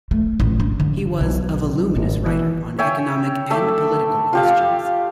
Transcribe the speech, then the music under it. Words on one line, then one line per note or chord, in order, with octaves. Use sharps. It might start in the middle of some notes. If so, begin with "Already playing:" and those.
He was a voluminous writer on economic and political questions.
A3
A1
D4
D3
B1
G#1
E3
C#5 E5 G5 G#5
A3 E5 D6
F4 G4 F5